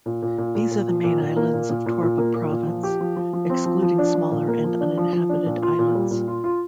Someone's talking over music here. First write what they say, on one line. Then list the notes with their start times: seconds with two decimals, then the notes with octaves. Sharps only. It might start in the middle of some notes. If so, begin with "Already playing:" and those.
These are the main islands of Torba Province, excluding smaller and uninhabited islets.
0.06 A#2
0.22 A#2
0.38 A#2
0.55 A#2
0.71 A#2
0.88 F3
1.04 A#2
1.21 A#2
1.36 A#3
1.53 A#2
1.69 A#2
1.86 A#2
2.02 A#2
2.18 A#3
2.34 A#2
2.51 A#2
2.67 F3
2.83 G4
3.01 F3
3.16 F3
3.33 F3
3.50 C4
3.66 F3
3.82 F3
3.98 D4
4.15 F3
4.31 A#2
4.48 A#3
4.64 F3
4.80 D4
4.97 F3
5.13 F3
5.29 D4
5.46 A#2
5.62 F4
5.79 A#2
5.95 G3
6.11 A#2
6.28 F4
6.44 F4